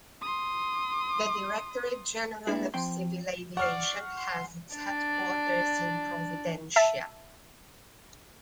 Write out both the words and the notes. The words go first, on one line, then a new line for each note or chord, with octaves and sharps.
The Directorate General of Civil Aviation has its headquarters in Providencia.
C6 D#6
G#3 A#3 B3 D4 E4 G#4
F3 C4 G5 C6
D5 F#5 C#6 F6 C7
C6
D4 D5
E5 A5